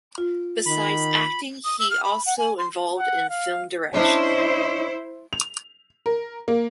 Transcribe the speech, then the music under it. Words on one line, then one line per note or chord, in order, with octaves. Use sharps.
Besides acting he also involved in film direction.
F4
D#3 B5
D#6
E6
F6
B5
F#5
G#5
C6
F#5
F5
C#4 D4 E4 C5 D#5
F7
A#4
A#3